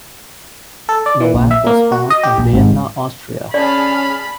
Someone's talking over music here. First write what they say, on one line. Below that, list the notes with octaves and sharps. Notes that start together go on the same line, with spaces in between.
Nowak was born in Vienna, Austria.
A4
D5
E3
A#1
E5
A#3
F#4
D#5
G4
A#1
G#1
C#4 G#4 D5 A5 B5 F6